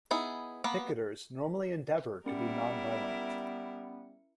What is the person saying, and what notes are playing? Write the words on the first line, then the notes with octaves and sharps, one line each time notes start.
Picketers normally endeavor to be non-violent.
B3 D#4 E4 G#4
A#3 B3 B4
G3 B3 C#4 E4 A#4 C#7